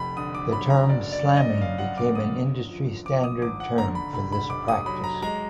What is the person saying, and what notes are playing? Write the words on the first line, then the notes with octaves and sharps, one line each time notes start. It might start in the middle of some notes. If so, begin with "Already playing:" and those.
The term slamming became an industry standard term for this practice.
Already playing: F1 F2 B5
D3 D#6
D6
F#3 B5
A#5
F#1 D5
D5
F#2
D#5
F#2 F5
F#5
D3 D6
D#6
F#2
F3
F3 D6
D#6
G#1 D6
F#5
D3 A#5
B5
F1 B5
B5
F1 D6
D#6
F#3 B5
A#5
G#3 A#5